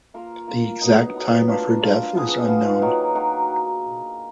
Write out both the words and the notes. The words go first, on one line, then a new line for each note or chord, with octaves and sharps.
The exact time of her death is unknown.
A#3 F4 A#4
A#3 F4 A#4
F#3 B3 D#4
F#3 B3 D#4
A#3 D4 F4
A#3 D4 F4
F3 B3 F4 G#4
F3 B3 F4 G#4
D#3 F#3 A#3
D#3 F#3 A#3